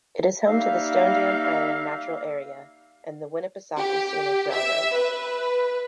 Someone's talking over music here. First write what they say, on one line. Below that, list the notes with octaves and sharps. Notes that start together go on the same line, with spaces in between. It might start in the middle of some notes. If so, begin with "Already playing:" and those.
It is home to the Stonedam Island Natural Area and the Winnipesaukee Scenic Railroad.
G3 A#3 D#4 E5 F5
G4
E5
B4